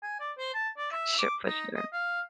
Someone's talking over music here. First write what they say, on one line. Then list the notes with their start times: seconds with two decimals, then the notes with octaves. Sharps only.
Sh for sure.
0.03 G#5
0.20 D5
0.38 C5
0.54 A5
0.77 D5
0.92 E5
1.19 D6
1.46 D#4
1.75 D#5
1.93 F5